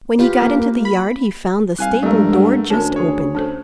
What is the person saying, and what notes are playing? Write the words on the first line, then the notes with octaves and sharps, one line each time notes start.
When he got into the yard he found the stable-door just opened.
F4 G4 B4
A#3
B5
C2 F5 G#5 F#6
G2 F#3 G#3 A3 A#4
G#4 F#5
D2 C#4 A#4 A5
G#4 C#5
C#4 A4 C5